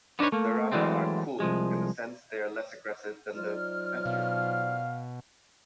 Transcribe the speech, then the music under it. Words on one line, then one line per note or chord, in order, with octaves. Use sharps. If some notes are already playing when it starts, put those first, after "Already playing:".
The Rada are "Cool" in the sense they are less aggressive than the Petwo.
B3 D4 D#4 B4 C#5
A3 A#3
E3 F#3 G#3 A3 C4
C2 F3 G#3
F#3 D#4 F4 C5 D5 F6
B2 F5